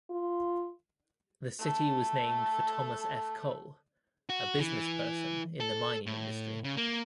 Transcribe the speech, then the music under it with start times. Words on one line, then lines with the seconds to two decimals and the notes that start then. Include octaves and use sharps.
The city was named for Thomas F. Cole, a businessperson in the mining industry.
0.11 F4
1.58 A3 A4
4.29 F#4
4.59 E3
5.60 A4
6.06 A2
6.64 C#3
6.77 A#3